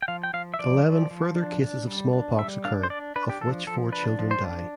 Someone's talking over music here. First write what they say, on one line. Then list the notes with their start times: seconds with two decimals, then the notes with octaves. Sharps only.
Eleven further cases of smallpox occur of which four children die.
0.02 G5
0.08 F3 F5
0.23 G5
0.34 F3 F5
0.54 E5
0.59 F3 D5
0.85 F3
1.11 F3
1.36 D4
1.62 D4
1.87 G3
2.13 D4
2.38 G3 E5
2.65 D4 F5
2.83 C5
2.90 D4 D5
3.16 D4 B4
3.29 G4
3.41 F3 A4
3.67 F3 A4
3.92 D4 B4
4.19 F3
4.31 C5
4.44 D4